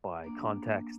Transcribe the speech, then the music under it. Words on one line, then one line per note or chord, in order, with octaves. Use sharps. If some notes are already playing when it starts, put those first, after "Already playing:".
by context,
A#3 D4